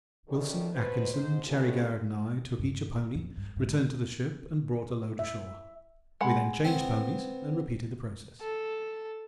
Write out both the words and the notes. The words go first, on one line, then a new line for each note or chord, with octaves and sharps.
Wilson, Atkinson, Cherry-Garrard, and I took each a pony, returned to the ship, and brought a load ashore; we then changed ponies and repeated the process.
C3 D#3 F#3 G3 C#4 A4
B2 B4 C5
G#2 C5
G#3 A3 B3 C#4 F4 G4
G2
F2
G2
G#2
E5
G#3 F#5 B5
B3 C4
A4